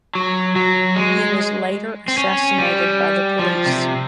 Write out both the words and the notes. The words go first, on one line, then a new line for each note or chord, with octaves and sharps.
He was later assassinated by the police.
F#3
F#3
G#3
C4
C#4
G3
F3
C3